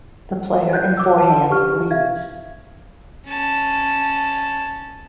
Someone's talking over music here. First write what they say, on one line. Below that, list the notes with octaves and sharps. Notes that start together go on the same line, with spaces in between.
The player in forehand leads.
F#6 G6
D6 E6
B4 A5
G4 C#6 F6
E5 F5 G#6
C#4 A5